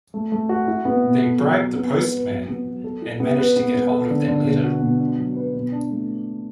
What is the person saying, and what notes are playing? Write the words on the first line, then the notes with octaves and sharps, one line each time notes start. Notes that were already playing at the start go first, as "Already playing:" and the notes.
They bribe the postman and manage to get hold of that letter.
A3
A3
F#4
E4
B3
B2
A4
F#3
F#4
B3
B4
B4
F#3
B3
F#3
A4
E4
B3
B4
B3
B3
A4
D3
D3
B2
F#4
B2
D4
F#3
B4
B2
D4
A3